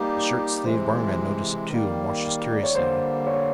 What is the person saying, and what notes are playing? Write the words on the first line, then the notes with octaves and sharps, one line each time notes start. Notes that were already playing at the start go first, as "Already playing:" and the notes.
The shirt-sleeved barman noticed it too, and watched us curiously.
Already playing: G3 A#3 D#4 G4 D5
C3 E3 G#3 C5
D#3 G3 A#3
D5
C#5
D3 G3 A#3 C5
C#5